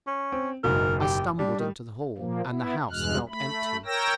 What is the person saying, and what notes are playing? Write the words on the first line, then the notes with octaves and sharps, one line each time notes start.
I stumbled into the hall, and the house felt empty.
C#4
C4
F#1 G#2 B2 A#4
G4
G3 D4
D#3
A#2 F3 A#3
B3 E4
E2 G2 B2 G#3 F6 F#6
A3 B5
A#4 C#5 G5 E6 A#6